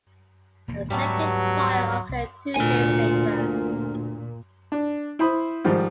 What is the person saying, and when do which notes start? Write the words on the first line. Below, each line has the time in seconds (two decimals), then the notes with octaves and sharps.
A second fire occurred two days later.
0.68 E1 D2 A#3
0.90 D2 G#2 F#3 G3 A3 B3 C#4
2.09 C2
2.56 D2 A#2 F4 G#5
4.72 D4
5.19 E4 C5 B5 D#6
5.65 G#2 D#3 F3 G3